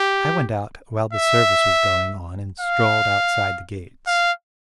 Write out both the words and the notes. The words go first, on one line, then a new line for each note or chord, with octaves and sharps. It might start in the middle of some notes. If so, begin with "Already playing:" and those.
I went out while the service was going on and strolled outside the gates.
Already playing: G4
E5
F5
F5